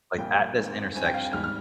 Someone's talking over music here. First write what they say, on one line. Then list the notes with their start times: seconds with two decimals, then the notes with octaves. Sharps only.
like, at this intersection,
0.18 A#1 A#2 G3 A#3 G5
0.57 G#1 G#2 D#3 G#3 C4
0.95 G2 F3 C4 G#5
1.05 G5
1.14 F5
1.24 G5
1.33 G#1 G#2 G3 F6
1.44 F6